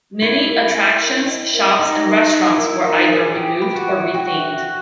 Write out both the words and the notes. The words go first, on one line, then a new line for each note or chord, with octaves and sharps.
Many attractions, shops, and restaurants were either removed or rethemed.
E4 A#4
A#4
G#5
A#4
D#5
A#4
D#4 D#5
A#4
D#5
E4 A#4
D#4 A#4
G#4 A#4
G4 G5
B5
F#4
E5
F#4 G5
E5